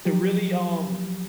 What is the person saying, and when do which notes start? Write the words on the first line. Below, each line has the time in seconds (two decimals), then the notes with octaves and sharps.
to really, um,
0.05 F3 F#3 G4